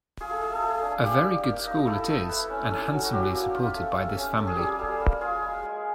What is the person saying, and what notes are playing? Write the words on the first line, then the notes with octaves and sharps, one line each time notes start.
A very good school it is, and handsomely supported by this family.
F4 G#4
A4
A3 G#4
A4
A3 G#4
D4
A#3 G4
D#4
A#3
D#4
E4 A4
A3
A3 B4
C#4
C#4 A4
F#3
F#4
F#3 G4
A#3
F4
A3
A3
C#4
C#4 A4
G#4
G3 G4
G#4
G3 A4
A#3
F4 G#4
G#3
G#3